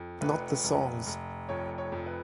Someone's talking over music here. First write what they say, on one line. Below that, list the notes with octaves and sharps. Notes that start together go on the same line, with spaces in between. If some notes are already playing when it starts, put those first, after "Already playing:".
Not the songs.
Already playing: F2
F1 B4
F1
F1
F2 C#5
C#5
F2
B4